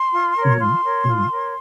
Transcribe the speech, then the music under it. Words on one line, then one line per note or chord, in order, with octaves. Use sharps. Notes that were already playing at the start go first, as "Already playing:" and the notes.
Mhm. Mhm.
Already playing: C6
F4
A#4 C#5
F4 C6
A#4 C#5
F4
A#4 C#5